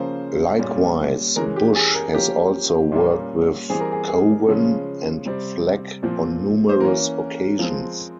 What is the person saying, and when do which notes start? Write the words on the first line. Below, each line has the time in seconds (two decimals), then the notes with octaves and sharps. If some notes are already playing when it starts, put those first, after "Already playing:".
Likewise, Bush has also worked with Cowan and Fleck on numerous occasions.
Already playing: C#3 F3 A#3 C#4 C5
0.59 A#2 G3 C#4
1.36 E3 G#3 C#4 A#4
1.56 G4
1.76 G#4
1.94 A#4
2.14 F3 A#3 C#4 G4
2.92 A#2 G3 A#3 C#4
3.70 E3 G3 C4 G#4
3.80 A#4
3.92 G#4
4.08 G#4
4.48 C#3 F3 G#3 C#4
5.25 C3 G3 C4
6.03 A#2 F3 C4
6.69 C5
6.80 E3 A#3 C#4 A#4
7.59 F3 G#3 C4